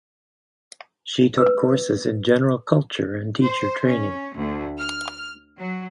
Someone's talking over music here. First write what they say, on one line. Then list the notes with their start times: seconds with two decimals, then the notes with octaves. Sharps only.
She took courses in general culture and teacher training.
1.38 B4 E6
3.45 C5
3.87 C#4
4.37 D2
4.79 F6
5.58 F#3